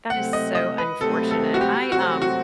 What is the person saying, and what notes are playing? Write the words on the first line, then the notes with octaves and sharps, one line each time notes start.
That is so unfortunate. I, um,
C3 F#3 A3 C4 F#5
D#5
D#5
B4
C3 F#3 A3 C4 A4
A4
F#4
G4
C3 F#3 A3 C4 F#4
F#4